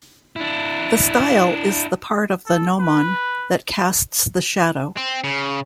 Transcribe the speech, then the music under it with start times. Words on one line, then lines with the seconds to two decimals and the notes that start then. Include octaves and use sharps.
The style is the part of the gnomon that casts the shadow.
0.36 D4 E4
2.47 A4
2.79 B4
4.97 C4
5.24 C#3